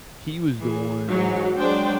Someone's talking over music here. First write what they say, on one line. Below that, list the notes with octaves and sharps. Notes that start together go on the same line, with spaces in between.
he was the one
E3 G#4
G#2 E3 F#3
F#3 G#3 D4 C5 D5 G5